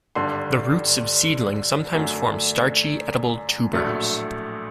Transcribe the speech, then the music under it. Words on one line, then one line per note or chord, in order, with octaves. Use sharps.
The roots of seedlings sometimes form starchy, edible tubers.
G#1 G2 D3 G3 C6
F#2 D3 F#3 A3
A#1 A2 F#3 A3